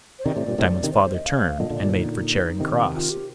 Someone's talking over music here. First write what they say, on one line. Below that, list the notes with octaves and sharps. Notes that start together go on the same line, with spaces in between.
Diamond's father turned, and made for Charing Cross.
C5
C3 D#3 D5
A2 C3
G2 A#2
A2 C3
C3 D#3
C5
C5
D#5
F5
A#2 D3 D#5
A#2 D3
D5
A#2 D3
D#4
C3 D#3
F4
G4